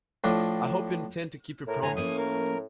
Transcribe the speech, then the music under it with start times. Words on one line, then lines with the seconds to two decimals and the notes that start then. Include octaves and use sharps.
I hope you intend to keep your promise.
0.24 A2 F3 D4
1.67 A2 A#4
1.83 D3 G#5 A#5
1.97 F3 A#3 C#4 D#6
2.18 A#4